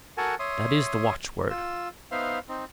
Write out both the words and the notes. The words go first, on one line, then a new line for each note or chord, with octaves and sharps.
That is the watch-word.
F#4 A4 A#4 F#5 G#5 A5
C#5 E5 C6 D#6
F4 E6
B3 D#4 C5 E5 F5
C4 D#4